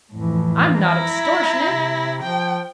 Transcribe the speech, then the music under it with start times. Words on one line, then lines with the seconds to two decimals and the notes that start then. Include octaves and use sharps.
I'm not extortionate.
0.12 F2 A2 E3
0.79 E4 A#5
1.65 C3
2.22 F3 G5